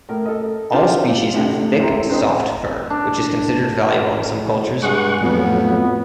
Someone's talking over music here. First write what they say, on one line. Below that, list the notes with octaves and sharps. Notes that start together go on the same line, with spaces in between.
All species have thick, soft fur, which is considered valuable in some cultures.
A2 A#4
A4 D#5
C4 D4 D#4 F4 G4 B4
A2 C3 D4
C#2 C3 C4 E4 A4 A#5
C4 D4 B4 C5 D#5 A#5
D4
G2 G#3 F#5 C#6
F2 A2 F#3 B3